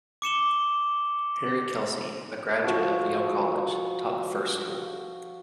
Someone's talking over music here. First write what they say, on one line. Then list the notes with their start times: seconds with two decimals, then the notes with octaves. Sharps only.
Harry Kelsey, a graduate of Yale College, taught the first school.
0.22 D6 C#7 E7 G7
2.64 F3 F#4